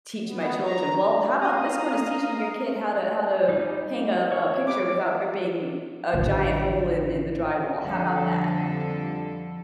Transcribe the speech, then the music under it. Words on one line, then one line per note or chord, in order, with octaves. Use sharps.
teach my children." "Well, how about this one is teaching your kid how to how to hang a a picture without ripping a giant hole in in the drywall, how about that?"
B3
A#5
F5 A#5 D#6
G3 D#4
C#5
G4 B4 D6
A1 D3
F2 D3 F3 G3 A4